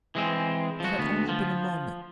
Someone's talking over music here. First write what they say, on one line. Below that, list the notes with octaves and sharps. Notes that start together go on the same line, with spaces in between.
It had only been a moment.
E3 G#3 C4
F3 F#4
D2 B3
F3